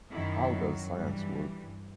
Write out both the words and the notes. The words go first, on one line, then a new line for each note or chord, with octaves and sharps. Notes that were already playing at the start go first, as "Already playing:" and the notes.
How does science work.
F#2 D#3 E4
F#3
G2 E3 G3